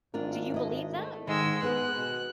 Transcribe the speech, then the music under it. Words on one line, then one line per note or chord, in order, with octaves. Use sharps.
Do you believe that?
G#1 D4 F4 A#4
E4 D#5
A3
G#2 D#3 G#3 E6
B3 G#4 B4 C5 F#6
B2